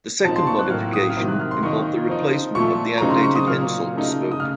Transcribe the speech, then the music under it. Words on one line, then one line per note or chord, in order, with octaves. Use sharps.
The second modification involved the replacement of the outdated Hensoldt scope.
A#2 F3 C4 D#4 A5
C6
C#6
F#6
A2 F#3 A#3 F4 F6
D#6
F6
C3 D#3 F#3 D#6
F#6
F6
C6
D#3 A#3 D#4 C#6
F3 C4 D#4
A#2 F3 A3 C#6
C#3 F#3 C4 D#4 A#5
C6
C#6
D#6
A#2 F#3 A#3 F6
C#3 A3 D#4
D#6
C#3 F6